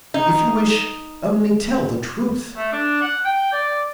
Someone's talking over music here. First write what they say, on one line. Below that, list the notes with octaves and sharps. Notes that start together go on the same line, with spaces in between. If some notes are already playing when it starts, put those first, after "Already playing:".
"If you wish--only tell the truth."
D#4
A3
D4
F#5
G5
D5